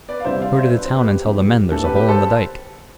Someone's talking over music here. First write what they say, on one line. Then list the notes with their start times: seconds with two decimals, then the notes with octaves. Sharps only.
Go to the town and tell the men there's a hole in the dike.
0.09 B4 D5
0.20 F5
0.24 E2 C3 E3 G3 C4 C5 E5
0.42 D5 F5
0.58 C5 E5
0.73 B2 B3 D4 B4
0.85 C5
0.95 G4 B4
1.23 F2 E3 B3 G4
1.71 A2 E3 B3 D4 A4
1.84 G4 B4
1.95 G4 B4
2.08 A4 C5